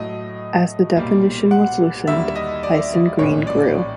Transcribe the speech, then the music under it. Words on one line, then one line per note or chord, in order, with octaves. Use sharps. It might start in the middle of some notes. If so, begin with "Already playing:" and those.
As the definition was loosened, Hyson Green grew.
Already playing: A2 F#3 A3 D#5
B1 A#2 G3 A#3
F#5
D#2 D3 G3 A#3 E5
D#5
D5
A#1 A2 E3 G#3 C#4 C#5
D5